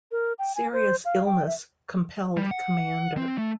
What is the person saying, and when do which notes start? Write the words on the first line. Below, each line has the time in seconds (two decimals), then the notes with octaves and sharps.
Serious illness compelled Comdr.
0.12 A#4
0.39 G5
0.55 G#5
0.73 C5
1.05 F5
1.25 G5
1.46 E5
2.37 G3
2.51 F#5
3.17 C4
3.38 A3